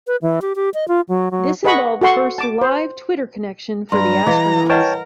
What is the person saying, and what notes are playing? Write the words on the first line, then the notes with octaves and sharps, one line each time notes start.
This involved the first "live" Twitter connection for the astronauts.
B4
E3
G4
G4
D#5
F4
F#3
F#3
G#4 B4 D#5 F#5 B5 C#6
F#4 A4 F#5 C6 C#6
A5 D6
C5
G2 A#5 C6
E3 G#4 D#5 F5
A#4 B4 C#5 D#5 F#5 G5 A5